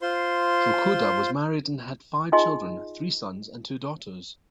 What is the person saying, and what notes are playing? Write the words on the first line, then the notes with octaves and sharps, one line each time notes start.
Fukuda was married and had five children: three sons and two daughters.
F4 C5 C6
D#4 F4 G#4 D#5 G#5 C6